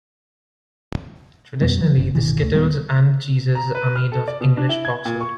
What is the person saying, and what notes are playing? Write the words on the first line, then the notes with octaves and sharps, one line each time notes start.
Traditionally the skittles and the cheeses are made of English boxwood.
F2 B2 G3 B3
F3 F#3
F#1 C#3
G1 B2 D#3 E3
D2
D#1 G3 B3
A#5
B4
F6
A4
D5
B2
D4
E4
G#6
A#2
C#6